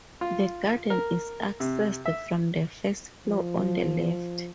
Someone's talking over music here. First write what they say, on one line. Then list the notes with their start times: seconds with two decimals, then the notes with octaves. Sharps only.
The garden is accessed from the first floor on the left.
0.21 F4
0.90 A#4
1.60 C3
2.06 E5
3.27 F3